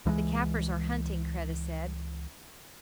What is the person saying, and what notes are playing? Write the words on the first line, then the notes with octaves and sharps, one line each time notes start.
"The Kaffirs are hunting," Kreta said.
C#2 E3 G3 G#3